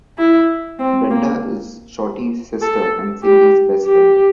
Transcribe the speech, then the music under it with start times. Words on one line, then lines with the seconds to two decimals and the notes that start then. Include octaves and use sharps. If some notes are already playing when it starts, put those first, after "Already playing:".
Brenda is Shorty’s sister and Cindy’s best friend.
0.18 E4
0.79 C4
1.10 A#3
2.62 A4
3.23 G4
3.85 G4